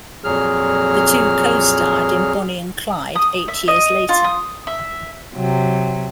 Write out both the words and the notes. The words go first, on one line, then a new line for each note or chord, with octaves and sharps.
The two co-starred in "Bonnie and Clyde" eight years later.
F2 A#2 F#3 G#4 F6
D#6
E5
D#5
F4
D#6
E5
C3 F#3